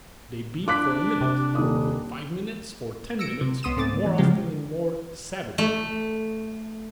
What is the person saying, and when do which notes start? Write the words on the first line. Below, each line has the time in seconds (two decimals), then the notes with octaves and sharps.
They beat for a minute, for five minutes, for ten minutes, more often and more savagely.
0.68 D4 D6 F#6 B6
1.21 C3
1.55 D#1 D#3 D#6
3.19 E6 A#6 C#7 D7
3.41 C3
3.63 C#2 B3 C6 D#6 D#7 E7
3.77 G#2 A3 C4 D6 A6
4.06 E3
4.18 C#3 F3 G#3 G4
5.58 A3